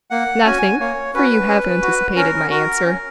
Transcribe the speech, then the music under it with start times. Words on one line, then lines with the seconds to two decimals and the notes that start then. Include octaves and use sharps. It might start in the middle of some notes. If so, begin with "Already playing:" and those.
"Nothing, for you have anticipated my answer."
0.10 A#3 F#5
0.45 C#4 F#4 G#5
0.80 A#3 C#5
1.14 C#4 F#4 B4
1.48 C#4
1.82 F#4
2.16 C#4 A#4
2.50 F#4 A#4
2.85 C#4